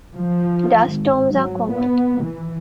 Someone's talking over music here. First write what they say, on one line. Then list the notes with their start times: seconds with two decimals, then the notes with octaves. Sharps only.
Dust storms are common.
0.15 F3
0.90 G#1
1.31 F#3
1.71 B3
2.23 E3